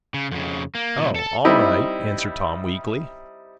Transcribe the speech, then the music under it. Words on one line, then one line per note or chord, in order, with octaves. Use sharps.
"Oh--all right," answered Tom, weakly.
C#3
F2 C#3
A#3
C2 A#2
A4 A5
G3 C4 D#4 E4 G4 D#5